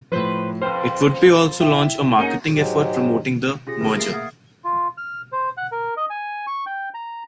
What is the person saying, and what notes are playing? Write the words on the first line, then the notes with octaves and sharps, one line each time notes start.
It would also launch a marketing effort promoting the merger.
A2 F3 B4 C5
F2 B4 C5 G5 F6
E4 E5 G5
A#3 C#4 D#4 G#4 F#5
G#2 F#3 G#3 G4
C#4 F4 G4 G#4 A#6
A3 G#4 A#4 A#6
A#3 A6 C7 D7
E5 F#5 D#6 F6 G#6
F4
F6
C5
F#5
A#4
D#5
G#5
C#6
G5
A#5